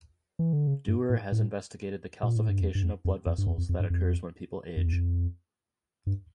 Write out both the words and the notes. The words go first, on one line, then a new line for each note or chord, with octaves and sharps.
Duer has investigated the calcification of blood vessels that occurs when people age.
E3
D3
C#3
G2
A2
A2
A#2
A2
G2
F2
G2
F2
F2
F2
G2
F2
F2
F2
G2
F2
F2
E2
F2
G2